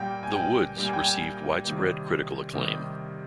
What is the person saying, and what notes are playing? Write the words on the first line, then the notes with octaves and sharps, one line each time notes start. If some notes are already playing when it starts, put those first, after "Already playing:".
"The Woods" received widespread critical acclaim.
Already playing: A#2 G3 A#3 G5
G#5
G5
A#2 G3 A#3
G#5
G5
G#5
C3 D#3 G3 A#3
C3 D#3 G3 A#3